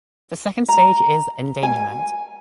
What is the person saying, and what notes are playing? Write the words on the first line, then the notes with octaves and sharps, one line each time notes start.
The second stage is "endangerment".
A#5
G#5